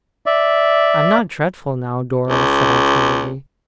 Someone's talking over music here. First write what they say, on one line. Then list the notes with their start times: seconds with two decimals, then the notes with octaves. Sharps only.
'I am not dreadful now, Dora?' said I, tenderly.
0.26 D5 E5
2.28 C#2